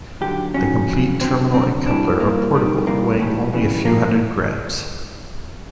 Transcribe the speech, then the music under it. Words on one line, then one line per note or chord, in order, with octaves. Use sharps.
The complete terminal and coupler are portable, weighing only a few hundred grammes.
D#2 D3 F#3 G4
G#2 D#3 F#3 C#4
F2 C#3 F#3
D#2 D3 F#3 C4
D2 D3 F#3 C4
A2 E3 G3 D4
G2 E3 G3 A#3
C2 C3 D#3 G3
C2 C3 E3 G3 A#3
G#2 E3 G3 A3
F2 C#3 E3 G3
C2 A#2 F3 A#3